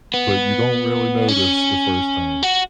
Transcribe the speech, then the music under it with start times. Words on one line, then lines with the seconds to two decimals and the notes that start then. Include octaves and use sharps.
but you don't really notice the first time.
0.14 B3
1.28 C#4
2.43 F#4